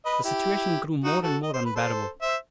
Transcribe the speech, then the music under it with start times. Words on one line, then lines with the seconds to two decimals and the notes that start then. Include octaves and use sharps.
The situation grew more and more unbearable.
0.05 B4 D#5
0.24 E4 G4
1.03 D#4 F#4
1.23 F#4 A4
1.43 D#5
1.54 C5
1.65 B4
1.75 A4 C5
2.22 C5 E5